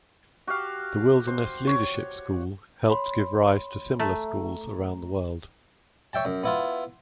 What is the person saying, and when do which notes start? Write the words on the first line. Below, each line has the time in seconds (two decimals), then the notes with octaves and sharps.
The Wilderness Leadership School helped give rise to similar schools around the world.
0.47 F#4 G4 F5
1.27 C5
1.67 C#5
2.89 C#5 B5 C6
3.99 A3 A#5
6.13 C#5 E5 G5 A5
6.25 F#2
6.43 B3 E4 F4